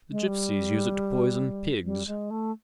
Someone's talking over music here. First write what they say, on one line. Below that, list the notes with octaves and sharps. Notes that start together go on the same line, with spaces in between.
"The gipsies use it to poison pigs."
G#3
G3
G3
G#3
A3